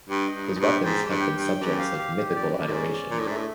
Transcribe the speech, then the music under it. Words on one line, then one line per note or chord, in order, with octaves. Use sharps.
His weapons have been subjects of mythical adoration.
G2 G4
D#5
G2
D#4
F#2
G2
G4
G#2 G5
G4
G2
G5
G2
G5
F#2 G4
F5
G4
G4
F#2 D5
D5
A2
G#2 C#4
D5
A#2 D4
A2
G#2 A3
A2